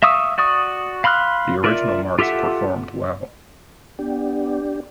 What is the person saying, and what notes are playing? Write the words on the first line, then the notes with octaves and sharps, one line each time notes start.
The original marks performed well.
E5 F5 C#6 D#6 E6
F#4 D5 C#6 D#6
F5 B5 C6 F6 F#6
F4 A#4 D5 E5
F4 G4 A4 E5 F#5
B3 D4 G4